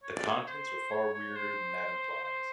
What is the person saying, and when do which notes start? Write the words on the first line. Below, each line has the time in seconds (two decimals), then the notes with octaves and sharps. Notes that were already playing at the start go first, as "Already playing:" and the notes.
But the contents are far weirder than that implies.
0.03 C#5
0.15 D5
0.27 C#5
0.48 C5
0.91 C#5
1.14 C#5
1.36 C5
2.24 C5